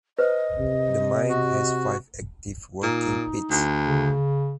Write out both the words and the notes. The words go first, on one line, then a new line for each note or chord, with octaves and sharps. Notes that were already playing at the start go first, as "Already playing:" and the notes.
The mine has five active working pits.
B4 C5 D#5
C3
F#4
A#2 D#4
D2
C#3